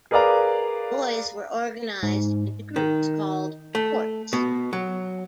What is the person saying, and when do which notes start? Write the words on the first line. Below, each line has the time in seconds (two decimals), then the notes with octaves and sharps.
Boys were organized into groups called forts.
0.11 G#4 A#4 B4 D5 F5 A#5
2.03 G#2
2.76 D#3
3.75 A3
4.33 B2
4.73 F#3